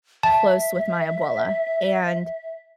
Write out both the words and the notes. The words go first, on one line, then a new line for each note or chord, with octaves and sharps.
close with my abuela, and,
E5 A5